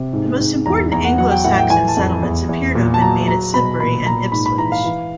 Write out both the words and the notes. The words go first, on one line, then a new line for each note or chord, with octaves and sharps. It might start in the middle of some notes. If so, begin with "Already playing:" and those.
The most important Anglo-Saxon settlements appear to have been made at Sudbury and Ipswich.
Already playing: C3
G#2
G#2
E2 A#5
E2 A#5
F#5
F#3 F#5
G5
A2 F#5
G5
E3 G#5
A5
F2
E2
E2
A#2
A5
F#3 A#5
F#3 A#5
B2 B5
A#2 B5
A#2 A#5
G#2 B5
B5
E3 A#5
F5
E3